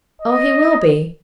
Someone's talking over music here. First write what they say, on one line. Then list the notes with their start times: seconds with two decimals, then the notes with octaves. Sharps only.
'Oh, he will be.
0.21 D#5